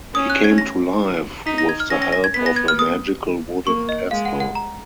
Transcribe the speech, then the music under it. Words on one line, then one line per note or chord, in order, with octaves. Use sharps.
He came to life with the help of a magical wooden pestle.
C#4 D#6
F#6
G#6
A#6
D#4 B6
A#6
G#6
F6
C#4 A#6
A#6
A#6
G#6
B3 B6
A#6
G#6
F6
D#6
A#3 C#6
D#5
G#3 F5
F#5
F#5
A#5